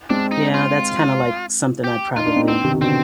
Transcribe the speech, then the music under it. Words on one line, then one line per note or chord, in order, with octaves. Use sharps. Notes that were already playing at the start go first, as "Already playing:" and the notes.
Yeah, that's kinda like something I'd probably
G#3 C4 D4
D#4
F4
G4
D#4 F4
D4
C4 D#4
B3 C4 D4
C3 D#3
C3
B2 D3 C4